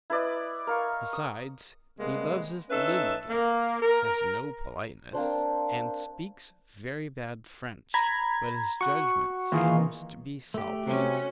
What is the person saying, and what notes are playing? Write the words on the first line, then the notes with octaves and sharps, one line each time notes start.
Besides, he loves his liberty, has no politeness, and speaks very bad French; but his judgment seems to be solid.
E4 B4 D5 D#5
A#4 F5 C#6
D#6
C3 G3 G#3 A#3 B3
C#4 D#4 A4 B4 E5
A#3
A#4
A#3 C4 D4 C5
A#5 B5 G#6
F#4 F#5 C#6
D#3 E3 A#3 F4 G#4 F5
A3 G4
C3 C#4 F#4